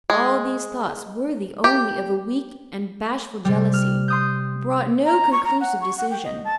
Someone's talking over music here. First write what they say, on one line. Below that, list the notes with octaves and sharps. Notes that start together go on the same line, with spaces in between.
All these thoughts, worthy only of a weak and bashful jealousy, brought no conclusive decision.
G#3
G4
C3 G3
F6
C6 D#6 G6
A#5
C#6
A#5
F#5
C#6
F#5
G5
D#5
A5